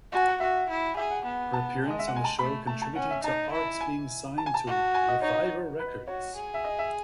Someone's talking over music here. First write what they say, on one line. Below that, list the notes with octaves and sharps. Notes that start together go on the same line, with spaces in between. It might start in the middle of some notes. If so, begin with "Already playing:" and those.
Her appearance on the show contributed to Arts being signed to Reviver Records.
F#4 G#5
F#5
F#4 E5
E4
G#4 E5
F#5
B3
A5
G#3
D#5
E5
F#5
G#5
A5
A3 B5
A3 A5
A5
C#4 F#5
E5
D#4 A5
E4
G#5
A5
G#5
A5
F#4
G#5
D#5
D#4 C#5
D#5
C#5
B4
F#4 C#5
G#4
E5
D#5
E5